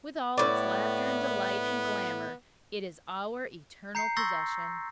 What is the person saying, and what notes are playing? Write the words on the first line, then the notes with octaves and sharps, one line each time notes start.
With all its laughter and delight and glamour it is our eternal possession.
A2 B3 D5
A#5 G6 C7 C#7
C6 C#6 E6 G6 A6 A#6